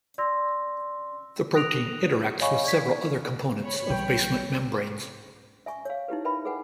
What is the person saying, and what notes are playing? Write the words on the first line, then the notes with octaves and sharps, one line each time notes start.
The protein interacts with several other components of basement membranes.
D5 C6 E6 A#6
D#6 F#6 A#6 D7 F7
C#5 D#5 F5 G#5 B5 C#6
D5 C#6 G#6 B6
C#5 B5
B1 E3 G3 G5
E5 G#5 C#6
C#5 F5
D#4 E4 G4 B4
A#4 B4 E5 G5 B5
G#4 A#4 B4 F#5 G#5